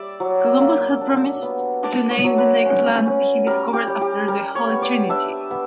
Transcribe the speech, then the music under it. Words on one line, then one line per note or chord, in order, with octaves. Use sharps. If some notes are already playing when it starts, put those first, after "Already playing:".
Columbus had promised to name the next land he discovered after the "Holy Trinity".
Already playing: G3 D5 E5
F#3
A#3
D4
B3
D4 D5
C#5
F#3
B4
C#4
C#4
G3 A#4
G4
G3
G4
G3 A#4
C#5
B3
D5
D4 E5
B3